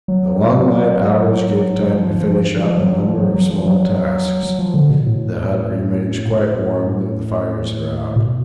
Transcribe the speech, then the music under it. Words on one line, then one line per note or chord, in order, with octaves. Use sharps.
The long night hours give time to finish up a number of small tasks--the hut remains quite warm though the fires are out.
F#3
F3
F3
F3
F#3
F3
F#3
F#3
F3
F#3
F#3
F3
D3
B2
A2
A2
B2